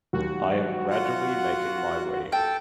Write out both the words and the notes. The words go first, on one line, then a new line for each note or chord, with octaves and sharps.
I am gradually making my way.
D#2 F#3 F#4
F4 F#5
A4 G5 A5